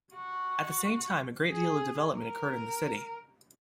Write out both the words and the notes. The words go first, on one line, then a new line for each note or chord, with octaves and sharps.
At the same time a great deal of development occurred in the city.
F#4
G#4
A#4